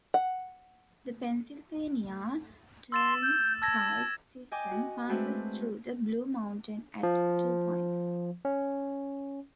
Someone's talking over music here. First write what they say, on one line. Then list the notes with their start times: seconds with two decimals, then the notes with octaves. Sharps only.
The Pennsylvania Turnpike system passes through the Blue Mountain at two points.
0.14 F#5
2.92 C6 E6 A6 E7
3.23 G6
3.62 A5 E6 G#6 A#6
4.52 D#5 G5 G#5 D6
4.71 F#4
5.09 G#3 A3 C4 D4 F#4 B4
7.03 F3
8.45 C#4